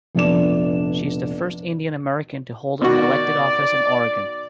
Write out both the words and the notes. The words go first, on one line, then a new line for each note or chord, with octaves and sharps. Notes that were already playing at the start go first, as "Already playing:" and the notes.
She is the first Indian American to hold an elected office in Oregon.
F1 A#1 B3 D4 D5 E7
B2 D#3 F#4 D5